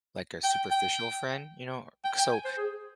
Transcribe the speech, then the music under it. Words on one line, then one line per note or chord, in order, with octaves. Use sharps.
like a superficial friend, you know? C So,
G5
G5
G5
G5
G#5
C5
G#4